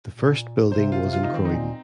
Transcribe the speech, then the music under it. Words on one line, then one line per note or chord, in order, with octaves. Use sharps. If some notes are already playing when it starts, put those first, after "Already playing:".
The first building was in Croydon.
A#2
C3 C5
F4
C3
F4
D#4
D#3 C4
D#4
A#2